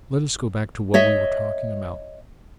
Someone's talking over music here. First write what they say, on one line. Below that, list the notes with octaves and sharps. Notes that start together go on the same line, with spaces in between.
Let us go back to what we were talking about.
C#5 D#5 E5